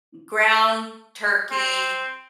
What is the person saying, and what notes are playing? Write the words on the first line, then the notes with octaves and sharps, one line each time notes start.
m ground turkey,
C4